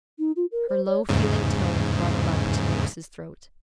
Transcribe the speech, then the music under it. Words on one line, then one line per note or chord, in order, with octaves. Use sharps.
Her low, feeling tones brought a lump to Noakes's throat.
D#4
F4
A#4
C5
C#5
E2 G#2 C#3